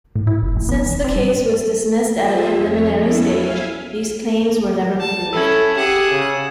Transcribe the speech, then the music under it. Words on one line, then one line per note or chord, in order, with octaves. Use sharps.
Since the case was dismissed at a preliminary stage, these claims were never proved.
A2
E4
F#1
A#1
B3
E1
C4
G2
F4 G#4 A4 C5 E5
F2 C#5
B3 C#4 E4 A4
E5 F5 G#5 F6
A5
C#4 E4 A4 E6 G#6
G4 G#4 F#5 E7
C#3